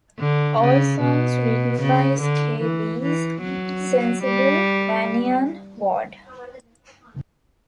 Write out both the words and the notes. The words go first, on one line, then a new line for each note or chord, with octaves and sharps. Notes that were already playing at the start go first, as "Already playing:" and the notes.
All songs written by Scabies, Sensible, Vanian, Ward.
D3
C#3
B2
C#3
D3
E3
E3
F#3
G3